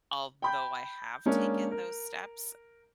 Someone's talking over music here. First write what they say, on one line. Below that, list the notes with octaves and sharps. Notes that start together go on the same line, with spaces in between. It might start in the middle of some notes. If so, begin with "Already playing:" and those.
although I have taken those steps
G5 B5 G6
G#3 A#3 C#4 D4
A#4